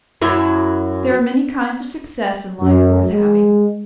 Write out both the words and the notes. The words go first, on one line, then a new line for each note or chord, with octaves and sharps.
There are many kinds of success in life worth having.
F#2 F#3 E4
F#2
G#3